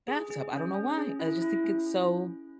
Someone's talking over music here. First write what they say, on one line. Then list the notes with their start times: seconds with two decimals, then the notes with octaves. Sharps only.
bathtub." I don't know why. I just think it's so
0.08 G#4
0.30 G#4
0.53 C#4
0.74 C#4
0.97 G#4
1.19 E4
1.42 E4
1.64 C#4
1.86 C#4